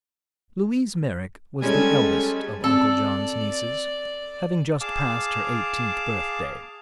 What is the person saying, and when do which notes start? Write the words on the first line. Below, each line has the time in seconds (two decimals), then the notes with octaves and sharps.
Louise Merrick was the eldest of Uncle John's nieces, having just passed her eighteenth birthday.
1.62 G3 G#3 C#4 A4 G#5
2.64 C4 A4 D5
4.81 G#4 F5 A5 D6